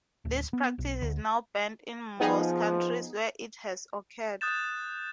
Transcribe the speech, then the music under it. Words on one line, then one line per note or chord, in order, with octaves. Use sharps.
This practice is now banned in most countries where it has occurred.
D1
B3
B1
D2
F3 B3 D#4 G#4
D#6 F#6 G6 A6 E7